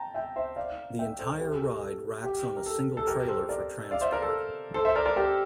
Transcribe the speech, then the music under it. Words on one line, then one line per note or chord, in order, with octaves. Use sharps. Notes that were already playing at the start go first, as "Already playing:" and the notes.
The entire ride racks on a single trailer for transport.
Already playing: G5 A5 A#5
E5 G5
C5 E5
D5 F5
E5 G5
A4 C5
A4
G4
A4
G4 A#4
A4
A4
G4
A#4
A4
A4
G4 A#4
A4 C5
A#4 D5
D5 F5
C5 E5
A#4 D5
A4
A4 C5
C5 E5
A#4 D5
A#4 D5
G4 A#4